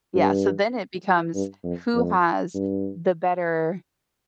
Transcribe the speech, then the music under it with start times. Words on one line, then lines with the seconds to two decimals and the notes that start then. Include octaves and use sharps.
Yeah, so, then it becomes, "Who has the better,
0.15 G2
1.35 G2
1.64 F2
1.94 F2
2.54 G2